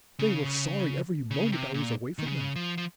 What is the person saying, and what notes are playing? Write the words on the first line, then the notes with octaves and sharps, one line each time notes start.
They were sorry every moment I was away from them.
C#3
C#3
C3
A#2
D#3
C#3
F3
F3